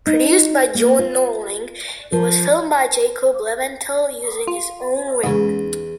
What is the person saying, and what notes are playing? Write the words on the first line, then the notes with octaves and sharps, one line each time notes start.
Produced by John Norling, it was filmed by Jacob Leventhal using his own rig.
D#4
A#3
F4
F3
F4
E2 G#2 C#3